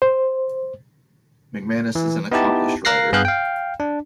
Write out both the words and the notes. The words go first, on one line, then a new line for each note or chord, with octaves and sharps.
McManus is an accomplished writer.
C5
E3
B3 D#4 E4 G4 A5
A#4 F5 F#6 A#6 C7
G2 B3 G#4 F5 F#6 G6
F5 G5
D4